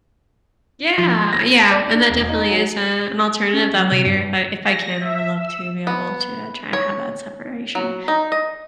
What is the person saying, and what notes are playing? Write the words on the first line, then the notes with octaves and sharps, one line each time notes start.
Yeah, yeah. And that definitely is a an alternative that later if I if I can, I would love to be able to try and have that separation.
F3
C6
A#6
A5
D5
D4
E1
D#4
F#3
C#4
F#3
C3
G2
A#6
E5
E6
B3
C#5
F#3
D#4
D#5